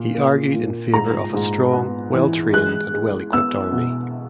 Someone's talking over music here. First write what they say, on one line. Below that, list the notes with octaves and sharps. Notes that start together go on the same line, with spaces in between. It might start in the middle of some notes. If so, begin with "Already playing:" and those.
He argued in favour of a strong, well-trained and well-equipped army.
Already playing: A#2
A#3
A#2
G#2 A#5
G#2
B3
E3
G#3 F#6
G#3
B3 E6
B2